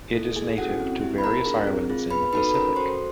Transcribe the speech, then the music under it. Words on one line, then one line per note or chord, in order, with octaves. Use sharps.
It is native to various islands in the Pacific.
E4 A4
A#3 G#4 G#5
C#4 E4 F#4 A4 F#5
C4
E4 G4
B5
B3 A#4 A#5
D4 F4 G#4
C4
F4 G#4
B3 B4 B5
D#4 F#4 A4 B4 B5
B5
C#4 A#4 A#5
F#4 A4 C5 C6